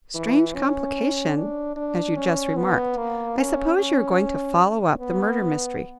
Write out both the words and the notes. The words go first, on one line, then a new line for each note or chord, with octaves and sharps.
Strange complication, as you just remarked. I suppose you are going to follow up the murder mystery.
E3
C#4
D4
D4
C#4
B3
A#3
C#4
C#4
B3